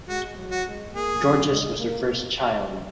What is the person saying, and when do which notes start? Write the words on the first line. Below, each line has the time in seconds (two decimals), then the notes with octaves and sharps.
Georges was their first child.
0.09 G#3 F#4
0.36 F#3
0.51 F#4
0.66 G#3
0.93 A#3 G#4
1.22 F#3
1.50 G#3
1.78 A#3